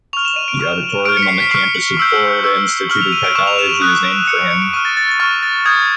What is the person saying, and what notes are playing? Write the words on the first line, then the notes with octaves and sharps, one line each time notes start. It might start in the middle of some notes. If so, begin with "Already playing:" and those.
The auditorium on the campus of Florida Institute of Technology is named for him.
C#6 F6 F7
E7
D#7
D7
C#6 F6
C#6 F6 D7
C#7
B6
C7
B6
C#6 F6 C7
F#7
C#6 E6 G6
C#6 E6 G6 G7
C#6 F6 F#7
F7
D#7
D7
C#6 F6 E7
F7
E7
D#7
D#6 F#6 D7
D7
D#6 F#6 C#7
C#7
C#7
D7
C#6 F6 D#7
A6
A6
A6
C#6 F6 A6
A6
D#6 G6 G#6